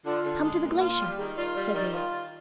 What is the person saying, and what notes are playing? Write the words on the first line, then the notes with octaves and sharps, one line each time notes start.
"Come to the glacier," said Leo.
D3 F4
D3
G#3
A#2
F4
G3
D#3 G#4
F4 D5
G3 D5
D#3 D5
F4